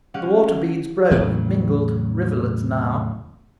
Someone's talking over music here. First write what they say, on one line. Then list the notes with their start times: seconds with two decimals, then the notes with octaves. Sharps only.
The water-beads broke, mingled--rivulets now.
0.14 G#3 C#4 G4 F5 F#5
1.11 E2 A2 C#3 F#3